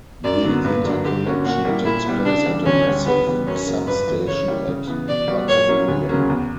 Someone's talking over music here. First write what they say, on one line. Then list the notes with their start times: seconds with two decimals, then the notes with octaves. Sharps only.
The interconnection takes place at a massive substation at Buttonwillow.
0.24 F#2 D5
0.44 D3 F#3 B3
0.64 G2 B4
0.84 D3 F#3 A#3 D4
1.05 D3 G4
1.25 A#3 C#4 F#4
1.45 A#2 F#4
1.65 G3 A#3 E4
1.85 A#2 E4
2.05 G3 B3 E4
2.25 C#3 D4
2.46 E3 G3
2.66 D2 C#4
2.86 D3 G3
3.06 C#3 B3
3.27 E3 G3 B3
3.47 F#2 C#4
3.66 C#3 F#3 A#3
3.87 G2 B4
4.07 E3 A#3
4.27 C#3 C#5
4.48 G3 A#3 E4
4.68 C#3
4.87 E3 B3
5.09 B2 D5
5.28 G3 B3 F#4
5.48 A#2 C#5
5.68 F#3 A#3 C#4 E4
5.88 D2
6.09 C#3 F#3 A#3 C#4
6.29 E2